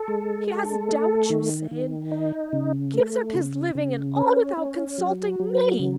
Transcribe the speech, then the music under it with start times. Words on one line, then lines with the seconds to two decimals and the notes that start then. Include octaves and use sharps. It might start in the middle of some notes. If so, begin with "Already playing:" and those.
'He has doubts, you say, and gives up his living, and all without consulting me.
Already playing: A4
0.08 G#3
0.48 A4
0.89 A3
1.30 D#3
1.71 D#3
2.12 D#4
2.53 C#3
2.94 A3
3.34 C#3
3.75 C#3
4.16 C#4
4.57 C#4
4.98 F#3
5.40 F#3
5.80 C#3